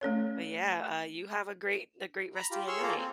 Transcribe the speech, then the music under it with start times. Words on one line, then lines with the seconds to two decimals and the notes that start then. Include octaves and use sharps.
But, yeah, uh, you have a great a great rest a your night.
0.01 A3 C#4 A4 C#5
2.36 A#5 B5
2.51 F4 G4
2.68 G#4 C#5 C6 C#6 E6 F6
2.82 A#3 F4 G#4 A4 F5 A#5
2.98 C4